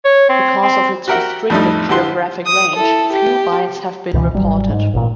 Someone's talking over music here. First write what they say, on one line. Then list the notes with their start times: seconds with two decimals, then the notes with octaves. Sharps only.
Because of its restricted geographic range, few bites have been reported.
0.05 C#5
0.29 C4
0.62 C4
1.08 F#4 G4 A#4 E5 F#5 G5
1.50 F2 A2 G3 A3 D#4
1.88 A#1 D3 E3 G4 C6 F#6
2.46 D#6
2.76 E4 A4
3.13 G4
4.14 C#2 B2 D#3 E3
4.34 G#1 F#3 G3
4.70 G#2
4.94 A1 A#2